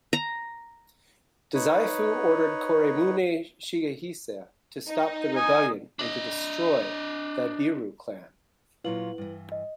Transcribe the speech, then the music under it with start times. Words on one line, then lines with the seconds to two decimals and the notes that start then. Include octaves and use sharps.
Dazaifu ordered Koremune Shigehisa to stop the rebellion and to destroy the Abiru clan.
0.13 A#5
1.54 D#4 B4 C#5
4.89 D#4
5.36 G#5 D#6
5.99 D4 D#5
8.84 A#2 F#3 E4 F4 B4 F#7
9.18 G2 E3
9.52 D#5